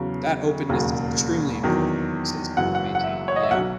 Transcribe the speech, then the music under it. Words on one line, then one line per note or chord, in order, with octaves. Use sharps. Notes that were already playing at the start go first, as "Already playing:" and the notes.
That openness is extremely important to sort of maintain, you know?
Already playing: E2 C#3 F#3
E1 D#2 C#3 F#3
E2 D#3 F#3
F#1 F#2 E3 F#5
F#5
F#5
E5
C#5
D#5
E5
B1 B2 F#3 F#5